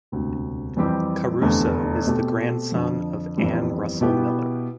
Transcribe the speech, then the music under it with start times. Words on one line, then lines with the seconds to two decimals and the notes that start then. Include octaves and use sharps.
Caruso is the grandson of Ann Russell Miller.
0.12 E1 D2 C3
0.77 F2 E3 G3 C4 G4
1.42 F1 E2 D3 A3
2.07 B2 A3 C4 G4
2.72 F2 D3 F3
3.37 G1 F2 E3 G3 C4
4.01 B2 B3 E4 G4